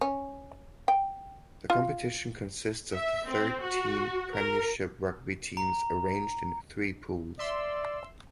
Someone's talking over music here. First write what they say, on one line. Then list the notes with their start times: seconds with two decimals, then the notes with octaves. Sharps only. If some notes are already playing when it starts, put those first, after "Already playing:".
The competition consists of the thirteen Premiership Rugby teams arranged in three pools.
0.01 C#4
0.88 G5
1.70 F4
2.93 E5
3.27 C4
3.61 F#4
4.35 A#4
5.57 A#5
7.39 D5 E5 C6 E6